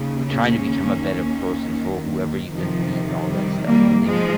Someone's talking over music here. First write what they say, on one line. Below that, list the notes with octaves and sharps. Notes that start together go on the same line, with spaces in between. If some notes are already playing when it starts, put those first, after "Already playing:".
are trying to become a better person for whoever you're gonna meet, and all that stuff, and I think,
Already playing: D#2 C#3
A#3 C#4
D#2 D#3
F2 C3 D#3 F3
G3
G3 A#3
G#2 F3 G#3